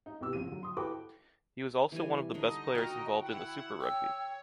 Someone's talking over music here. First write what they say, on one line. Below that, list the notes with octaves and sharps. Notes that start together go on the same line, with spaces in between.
He was also one of the best players involved in the Super Rugby.
D#4
C2 B2 G4 D6 E6
A#1 F2 D#7
D3 F#3
C6 D#6
E4 F#4 A4 B4 G5 D6
E3 G3 G#5
D3 D4 D#4 D#5
F#4 A#4 G5
E4 F#5
C#5 G5 E6